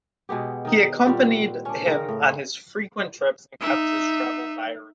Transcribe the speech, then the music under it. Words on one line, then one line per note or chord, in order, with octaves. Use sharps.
He accompanied him on his frequent trips and kept his travel diary.
B2 G#3 B3 G4
D#3 D#4
A#2 G3 C4 F#4
C#4 D4
C#3 C4 A#4
A2
D#4 E5